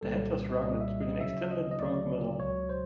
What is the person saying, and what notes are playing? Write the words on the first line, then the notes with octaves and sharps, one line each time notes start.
The head was rounded with an extended broad muzzle.
C2 A#2 G3 A4
C2 A#2 G3 D#5
E5
D#5
D2 C#3 F#3 E5
D#5
D#5
D2 C#3 F#3 D5
C#2 B2 F#3 C#5
C5